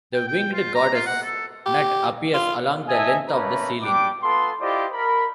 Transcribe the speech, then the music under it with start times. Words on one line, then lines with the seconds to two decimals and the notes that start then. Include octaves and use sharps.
The winged goddess Nut appears along the length of the ceiling.
0.14 G5
0.28 G5
0.53 F4
0.75 A#5
0.94 F4
1.06 F#5
1.22 A4
1.66 G4
2.34 F4
2.88 A4 D#5 E5 G#5
3.29 A3 A#3 C#4 B4 A#5 B5
3.82 G3 D4 G5 D6
4.22 B3 F4 A4 C6
4.61 E4 F4 G4 C5 D5 D#5
4.92 A#4 B5